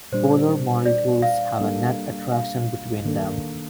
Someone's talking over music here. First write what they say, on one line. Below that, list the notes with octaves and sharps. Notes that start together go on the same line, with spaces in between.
Polar molecules have a net attraction between them.
A#2 G3 D4 C5
D5
F5
G3 A#3 D4 A4
F5
D#3 A#3 D4 A4